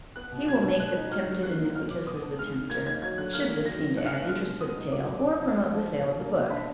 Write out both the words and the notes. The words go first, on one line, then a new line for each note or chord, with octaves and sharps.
He will make the tempted iniquitous as the tempter, should this seem to add interest to the tale, or promote the sale of the book.
B3 F#6
B2
F#3 G#6
B2
B3 F#6
D#4
F#3 F6
D3
A#3 F#6
D#4
F#3 F6
B2 D6
B3 D#6
D4
G#3 F6
D#3
A#3 G#6
D#4 G#6
F#3 G#6
D3 F#6
A#3 F6
D#3
F#3 A#6
D#3
D4 F#6
F6
B2 F#6
G#3 F6
B2
B3 D#6
D#4
F#3 D6
B2
D4
F3
B3
F3
D4
B2
A#3
B2
D4 B5